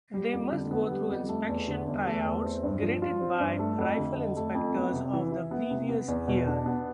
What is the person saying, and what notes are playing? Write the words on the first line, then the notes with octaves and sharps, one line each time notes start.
They must go through inspection tryouts graded by rifle inspectors of the previous year.
G3
F2
D3
B3
G3
F2
A3
E2
D3
E2
A3
E2
C4
G2
F3
F4
C4
G2
A3
F2
D3
F2
A3
F2
B3
C3
E3
E4
B3
C3
B3
E2
B2
D4
B3